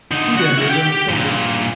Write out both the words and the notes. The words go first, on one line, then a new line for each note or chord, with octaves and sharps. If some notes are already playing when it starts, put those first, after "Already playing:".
Jude entered and ascended.
D3 D#4
F#4 F#5
E4 F#4
G4 G5
G2 A#2